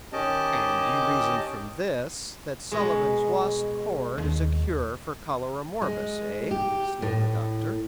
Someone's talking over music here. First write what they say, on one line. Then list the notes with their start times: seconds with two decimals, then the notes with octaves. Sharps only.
"And you reason from this that Sullivan's 'Lost Chord' is a cure for cholera morbus, eh?" sneered the Doctor.
0.13 D#3 C#4 G4 D#5 A5 D6
2.72 B2 G#3
4.18 D#2
5.82 G#3
6.51 G4
7.02 A2